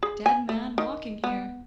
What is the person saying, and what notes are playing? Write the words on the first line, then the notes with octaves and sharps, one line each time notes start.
Dead man walking here!
G#4
G#5
A3
D#3
B3